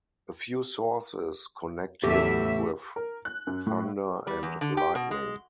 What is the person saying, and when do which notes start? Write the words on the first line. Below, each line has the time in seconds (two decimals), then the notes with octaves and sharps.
A few sources connect him with thunder and lightning.
2.04 E2 A2 C#3 A3 G4 A4 E5
2.96 A#4
3.25 F#6
3.47 F#2
3.66 A2
4.27 G3
4.43 E2
4.61 D3
4.77 G4
4.95 B2
5.11 G#3